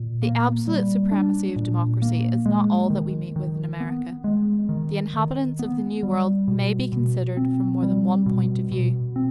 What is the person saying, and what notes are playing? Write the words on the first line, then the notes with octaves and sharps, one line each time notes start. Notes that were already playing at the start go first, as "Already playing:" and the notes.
The absolute supremacy of democracy is not all that we meet with in America; the inhabitants of the New World may be considered from more than one point of view.
Already playing: A#2
A#3
G3
D4
A#2
A#3
G#3
D#3
D#3
B3
G#3
D#3
D#3
B3
G3
B2
B2
C4
G3
B2
B2
C4